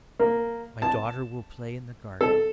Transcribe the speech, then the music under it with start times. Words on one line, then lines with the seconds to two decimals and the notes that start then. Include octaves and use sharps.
My daughter will play in the garden.
0.20 A#3
0.82 A5
2.21 A4